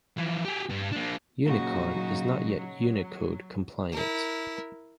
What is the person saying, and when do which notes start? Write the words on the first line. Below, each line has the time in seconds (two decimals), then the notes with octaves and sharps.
Unicon is not yet Unicode-compliant.
0.17 E3 F3
0.45 G4 G#4
0.69 G2
0.92 A#3 D4
1.45 A#2 C#3 F#3 D#4 F#4
2.55 F#3
3.92 E4 A#4